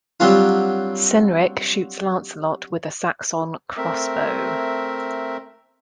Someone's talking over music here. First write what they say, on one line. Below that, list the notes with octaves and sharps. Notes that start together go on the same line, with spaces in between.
Cynric shoots Lancelot with a Saxon crossbow.
F#3 G3 C4 D4 F4
A3 C4 A#4 E5